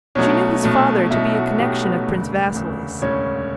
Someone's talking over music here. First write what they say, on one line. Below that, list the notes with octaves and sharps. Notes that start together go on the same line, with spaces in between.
She knew his father to be a connection of Prince Vasili's.
B1 B2 F#3 A3 C#4 C#5
B1 B2 F#3 A3
B1 B2 F#3 A3 E4 E5
F#4
B1 B2 F#3 A3 G4
B3 B4
E1 D2 C#3
E1 D2 C#3
E1 D2 C#3 C#4 C#5